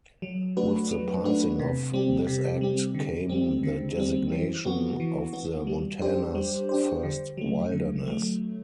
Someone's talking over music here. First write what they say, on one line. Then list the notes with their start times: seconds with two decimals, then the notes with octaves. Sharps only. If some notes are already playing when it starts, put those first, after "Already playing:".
With the passing of this Act came the designation of the Montana's first Wilderness.
0.22 F#3
0.57 A3 D4 F#4 B4
0.91 F#3
1.24 A3 D4 F#4 B4
1.60 C3
1.93 G3 C4 G4
2.27 C3
2.61 G3 C4 G4
2.94 D3
3.30 G3 C4
3.63 D3
3.97 G3 C4
4.32 E3
4.65 B3 F#4
5.00 E3
5.33 B3 F#4
5.67 G3
6.02 D4 G4 C5
6.35 G3
6.69 D4 G4 C5
7.03 D3
7.37 F#3 A3
7.72 D3
8.06 F#3 A3